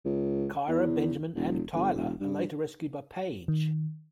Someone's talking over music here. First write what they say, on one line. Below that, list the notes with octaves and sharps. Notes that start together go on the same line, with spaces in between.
Kyra, Benjamin, and Tyler are later rescued by Paige.
C#2
E2
E1
G1
E1
G2
D#3